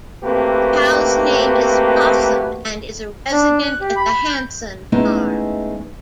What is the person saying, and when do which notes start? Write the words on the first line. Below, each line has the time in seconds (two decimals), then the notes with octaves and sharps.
The cow's name is Blosom and is a resident at the Hanson Farm.
0.24 A3 A#3 C4 F#4 G4 B4
3.32 D4
3.63 F#6
3.81 G4
3.96 B5
4.29 G6
4.92 G#3 A3 B3 C#4 D#4 E4